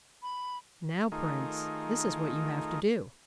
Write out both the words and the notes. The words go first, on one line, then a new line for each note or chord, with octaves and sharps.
'Now, Prince, this is what you have to do.
B5
D#3 A3 D#4 F4 G#4 A#4